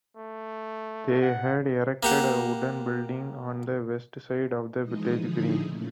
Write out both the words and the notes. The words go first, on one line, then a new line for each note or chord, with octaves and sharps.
They had erected a wooden building on the west side of the village green.
A3
F#5
A#3 G4 F#5
E3 F3 G#3 D#4 D#5
D3 F3 D#4 E4 G#4
A#2 C#3 A3